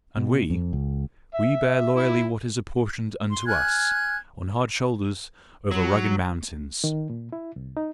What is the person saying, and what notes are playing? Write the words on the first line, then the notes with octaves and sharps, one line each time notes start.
And we--we bear loyally what is apportioned unto us, on hard shoulders, over rugged mountains!
B2
F2
C#2
E5
E4
C6
G#5 F6 F#6 G#6
F#3
D#3
A#2
E4
C2
D#4